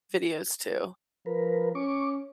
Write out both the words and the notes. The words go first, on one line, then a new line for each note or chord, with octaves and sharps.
videos, too.
F3 A#4 B4
C#4 C#6 D6